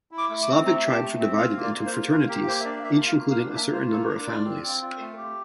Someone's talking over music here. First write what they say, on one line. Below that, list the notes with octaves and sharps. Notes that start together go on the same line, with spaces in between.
Slavic tribes were divided into fraternities, each including a certain number of families.
E4
D6
A3
D6
C4
A3 A#5
G4
A5
A3
C4
F4 F5
A#3
D5
A#3
C5
F4
A#3 A#4
G4 A#4
A#3 C5
E5
D4 D5
A#3 E5
F4
F5
A#3
F5
D4
A#3 E5
F4 C5
A#3 A4
D4 A#4
F4 D5
C4
C4
F4
A3
G4